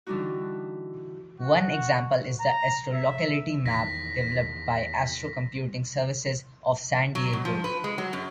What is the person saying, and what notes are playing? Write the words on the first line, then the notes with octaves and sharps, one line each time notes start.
One example is the "Astrolocality Map" developed by Astro Computing Services of San Diego.
D3 E3 G3 D4 D#4 F#4
F#4
A#5
E5
E2 D#3 A#6 B6
F#3
B2
F3
B4
G#3
F#3
F#2